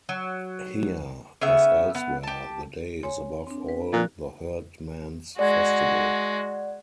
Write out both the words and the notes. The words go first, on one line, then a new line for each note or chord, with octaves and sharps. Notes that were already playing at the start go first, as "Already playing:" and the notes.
Here, as elsewhere, the day is above all the herdsman's festival.
F#3
C#3 B3 E5
B3
G4 A5
C#5 G#5 C6
C4 D4
B4
A#2 F3 A#4 F#6
G#3 F#4 D5 F#5 G#6